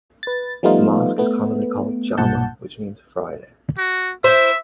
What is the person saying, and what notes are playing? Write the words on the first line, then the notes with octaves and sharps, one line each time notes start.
The mosque is commonly called "Jama" which means Friday.
B4 A6
F3 G3 A3 B3 D#4 F4
A3 B3
B1 G2 A#2 F#5 A5 G6
F#4
E4 C5 E5